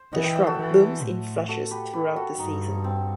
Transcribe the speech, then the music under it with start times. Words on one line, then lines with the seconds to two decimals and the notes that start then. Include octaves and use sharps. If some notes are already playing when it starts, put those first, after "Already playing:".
The shrub blooms in flushes throughout the season.
Already playing: C5
0.13 E3 D#5 F#5
0.24 E5 G5
0.35 E5 G5
0.47 F#4 A4
0.58 E3
1.03 A2
1.48 F#4 A4
1.71 G4 B4
1.93 G4 B4
2.16 F#4 A4
2.39 G2 D#4
2.84 C4